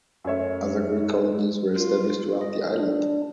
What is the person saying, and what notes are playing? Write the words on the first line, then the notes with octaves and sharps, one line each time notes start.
Other Greek colonies were established around the island.
F#2 A3 C#5 E5
F4
D#5
D4